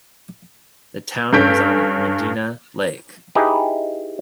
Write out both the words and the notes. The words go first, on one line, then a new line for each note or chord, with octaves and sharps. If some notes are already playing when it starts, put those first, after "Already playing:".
The town is on Medina Lake.
G2 C#4 A4 G6 B6 D7
D#4 E4 G4 G#4 B4